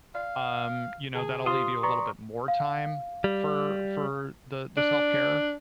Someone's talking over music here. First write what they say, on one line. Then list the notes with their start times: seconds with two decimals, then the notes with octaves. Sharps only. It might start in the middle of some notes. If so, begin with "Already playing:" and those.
um, you know, that'll leave you a little bit more time for for the the self-care,
0.15 D5 F5
1.15 D3 G#4
1.46 F4 G4 C5 C6 D#6
1.83 B4 D5 A#5 C#6
2.48 F5
3.24 G3
4.77 D4